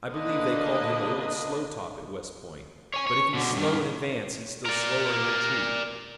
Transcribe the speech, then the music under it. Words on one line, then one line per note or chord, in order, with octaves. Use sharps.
I believe they called him 'Old Slow Top' at West Point, but if he's slow in advance he's still slower in retreat.
D3 A#3 D4 B4 D#5
C#5 G#5
C#5
B2 D3
G2 D#3
A#4 D5